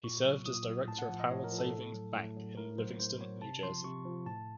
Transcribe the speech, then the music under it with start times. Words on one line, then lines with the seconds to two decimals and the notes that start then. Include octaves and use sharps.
He served as director of Howard Savings Bank in Livingston, New Jersey.
0.04 A#2 C#6
0.24 F#3
0.46 A#2 D#6
0.67 F#3
0.88 A2 A5
0.99 F#5
1.09 F3
1.20 D#5
1.30 A2 C#5
1.44 A#4
1.52 F3
1.59 A4
1.73 A2
1.94 F#3
2.15 A2
2.37 F#3
2.57 A2 A#4
2.78 F#3 C5
3.00 A2 C5
3.20 F#3 C#5
3.42 C3 A5
3.63 F3 C6
3.84 C3 C#6
4.06 F3
4.26 A2 A5